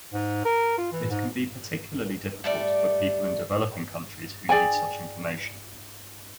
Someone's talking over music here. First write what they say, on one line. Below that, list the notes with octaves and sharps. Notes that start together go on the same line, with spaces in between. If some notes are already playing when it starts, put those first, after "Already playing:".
It can be particularly difficult for people in developing countries who need such information.
G#2
A#4
F4
E3
G#2
G3 A3 D5
G#4 D5 G5 G#5